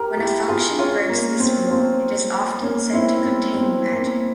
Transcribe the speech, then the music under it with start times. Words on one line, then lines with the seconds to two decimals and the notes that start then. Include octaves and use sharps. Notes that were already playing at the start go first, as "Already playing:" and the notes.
When a function breaks this rule, it is often said to contain "magic".
Already playing: G4 A#4
0.17 E4 G4
0.48 F4 G#4
0.78 C#4 F4
1.09 A#3
1.40 C4
1.71 C4
2.63 A#3 C#4
2.93 C4 E4
3.24 C4
3.55 C4
3.92 A#3
4.00 C4